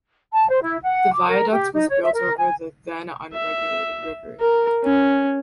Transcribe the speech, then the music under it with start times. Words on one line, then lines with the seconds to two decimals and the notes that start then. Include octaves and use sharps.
The viaduct was built over the then unregulated river.
0.32 A5
0.49 C5
0.62 E4
0.84 F#5
1.13 D6
1.28 A#4
1.51 G4
1.73 D#4
1.88 C#5
2.01 E5
2.13 A#4
2.36 G#5
3.33 E5
4.40 A#4
4.84 C#4